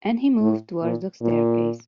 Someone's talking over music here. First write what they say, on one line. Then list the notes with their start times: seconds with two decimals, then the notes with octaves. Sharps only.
And he moved towards the staircase.
0.41 A2
0.82 A#2
1.22 A#2